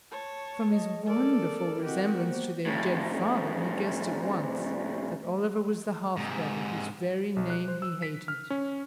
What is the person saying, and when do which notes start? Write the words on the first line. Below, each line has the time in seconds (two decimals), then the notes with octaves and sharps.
From his wonderful resemblance to their dead father, he guessed at once that Oliver was the half-brother whose very name he hated.
0.11 C#5 A5
0.71 G#4 D#5
1.06 A4 A#4 D5
1.83 C4 E4 F#4 G4 D#5
2.16 A#3 B3 C5
2.66 F2 A2
6.17 G#2 C3
7.36 B1
7.50 F#6
7.68 C5
7.82 E6
8.02 B6
8.28 F6
8.50 C#4